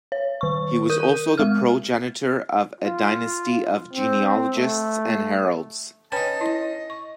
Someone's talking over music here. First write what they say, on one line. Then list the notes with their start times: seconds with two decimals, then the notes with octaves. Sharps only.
He was also the progenitor of a dynasty of genealogists and heralds.
0.12 C#5
0.41 D#3 C#6
0.90 A#4 D#6 G6 D#7
1.38 G#3 F6
2.81 F4
3.93 C4
4.56 A3
6.12 C#4 D#4 B4 G5 A5 B5
6.41 E4 D#5
6.90 C#6